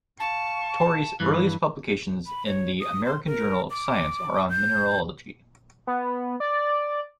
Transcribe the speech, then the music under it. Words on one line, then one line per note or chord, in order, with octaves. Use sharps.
Torrey's earliest publications in the "American Journal of Science" are on mineralogy.
F5 A5 C#6
G2 E3 B4
B5
C#5
D#6
C6
A#4
D6
G6
B3
D5